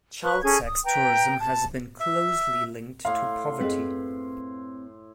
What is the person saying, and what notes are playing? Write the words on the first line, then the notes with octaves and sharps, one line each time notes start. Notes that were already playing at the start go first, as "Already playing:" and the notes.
Child sex tourism has been closely linked to poverty.
B4 C#6 F#6
C#4 G#4 A4 G#6
D#6
B4 G5 A#5
A5
E5
A2 F5 C6
F#2 C4 G#4 B4 D#5